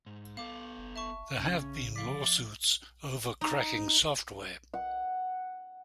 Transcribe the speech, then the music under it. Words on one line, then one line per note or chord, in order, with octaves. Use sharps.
There have been lawsuits over cracking software.
G#2
B3 A4 F5 D6
F#1
E5 A5 C#6
A#1 C#3 C#4
F3 D5 F5 B6
D#4
F#5